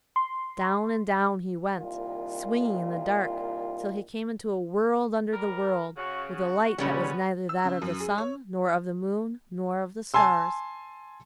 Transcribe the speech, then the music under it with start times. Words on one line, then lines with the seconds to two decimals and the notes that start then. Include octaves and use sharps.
Down and down he went, swinging in the dark, till he came into a world under the world, with a light that was neither that of the sun, nor of the moon, nor of the stars.
0.16 C6
1.79 C2 A#2 D#3 F4
5.33 G3 A#4
5.97 C#3 F#4
6.33 F#4
6.78 A#2 C#3 G3 B3 C#4
7.49 E6
7.65 C#3
7.82 F#2
8.00 G#4
8.18 C#5
10.14 G#5 A5 C6 E6